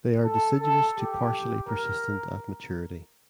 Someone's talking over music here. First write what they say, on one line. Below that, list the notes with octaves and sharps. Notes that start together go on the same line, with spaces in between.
They are deciduous to partially persistent at maturity.
A4
A4
G4
A#4